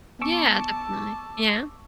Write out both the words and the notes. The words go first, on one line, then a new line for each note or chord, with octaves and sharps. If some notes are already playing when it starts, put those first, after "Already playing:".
Yeah, definitely. Yeah.
B3 A5 C#6 D6 E6